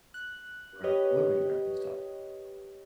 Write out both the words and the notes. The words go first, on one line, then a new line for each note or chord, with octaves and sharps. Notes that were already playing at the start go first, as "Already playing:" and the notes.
or whoever you referenced, sorry.
F#6
G4 B4 C#5 D#5